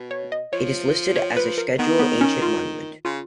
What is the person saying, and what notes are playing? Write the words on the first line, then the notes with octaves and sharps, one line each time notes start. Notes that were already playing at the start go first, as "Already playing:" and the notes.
It is listed as a Scheduled Ancient Monument.
Already playing: B2
C#5
D#5
F3 C#5
C#5
B4
A#4
D#3 B3
B3
C#4
F4
C#3 F4